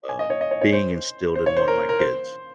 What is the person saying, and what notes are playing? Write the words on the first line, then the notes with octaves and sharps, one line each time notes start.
um, being instilled in one of my kids.
G#5
D#5
C#5
D#5
C#5
C#5
C5
C5
C#5
C5
A#4
A#4
C5